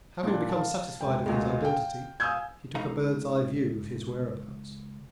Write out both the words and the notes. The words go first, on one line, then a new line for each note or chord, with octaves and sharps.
Having become satisfied of his identity, he took a bird's eye view of his whereabouts.
A#2 D4
F5 A5
E1 G5
D2 A#2 G#3
F5 G5
F5 G#5 D#6 E6 G6 G#6
C#2 D#4 F5 A#5